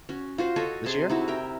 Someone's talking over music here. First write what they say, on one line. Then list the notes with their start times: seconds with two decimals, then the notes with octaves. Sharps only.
This year?
0.09 C#4 F#4
0.38 F4 F#4 C5
0.56 F#4 A4 C#5 D#5
0.86 C3 G#4 A5 C6
1.10 D#4 E4 F#4
1.28 A#4 E5 G5